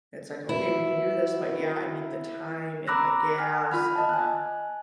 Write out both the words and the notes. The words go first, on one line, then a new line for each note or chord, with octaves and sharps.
that's like, "Okay, we can do this." But, yeah, I mean, the time and the gas and the
E4 F#4 B4
A#5 B5 D6 E6 F#6 A#6
G#5 F6
F4 B5 F6
D#5 A5
G#5 F#6